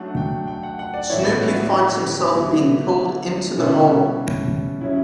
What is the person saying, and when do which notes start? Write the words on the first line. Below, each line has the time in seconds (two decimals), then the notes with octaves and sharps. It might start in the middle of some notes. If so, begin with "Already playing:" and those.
Snoopy finds himself being pulled into the hole.
Already playing: F#3 A3 D4 F#5
0.17 G5
0.47 G5
0.63 F#5
0.79 F#5
0.94 D5
1.10 A2 E3 B3 E4 C#5
1.25 B4
1.40 F#4
1.57 F#4
1.71 G4
2.33 D3 F#3 B3 E4
3.57 B2 G3 C#4 E4
4.81 C#3 F#3 C#4 E4